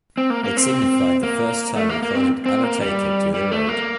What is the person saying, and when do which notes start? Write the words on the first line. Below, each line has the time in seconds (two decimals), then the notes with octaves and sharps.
It signified the first time Recoil had ever taken to the road.
0.18 C4
0.30 A#3
0.44 A#3
0.57 C4
1.23 A#3
1.76 A3
1.89 A#3
2.02 A#3
2.15 C4
2.46 C4
2.64 A#3
2.81 G3
3.34 G3
3.52 A3
3.69 A#3